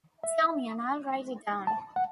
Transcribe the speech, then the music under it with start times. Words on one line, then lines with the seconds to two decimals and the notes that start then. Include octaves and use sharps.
Tell me and I'll write it down.
0.24 E5
1.67 A5
1.96 F#5